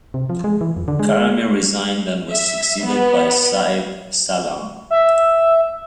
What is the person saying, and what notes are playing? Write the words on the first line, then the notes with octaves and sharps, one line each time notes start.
Karami resigned and was succeeded by Saeb Salam.
C3
F3
G#3
E3
F2
D3
G#3
G#3
E5
B3
E5